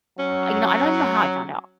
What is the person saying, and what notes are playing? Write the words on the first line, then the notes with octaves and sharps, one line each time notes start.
you know, I don't even know how he found out
F#3 C#4